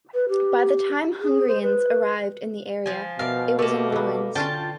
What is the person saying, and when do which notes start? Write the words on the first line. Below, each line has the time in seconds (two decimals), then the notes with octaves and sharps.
By the time Hungarians arrived in the area, it was in ruins.
0.14 B4
0.29 G4
1.21 G#4
1.48 C5
1.63 B4
2.86 F3 G#5
3.19 B2 A#4 D5 E5 F5
3.59 A3 A#3 G4
3.92 F#3 B3
4.35 D3 C#4 F4 G5 A5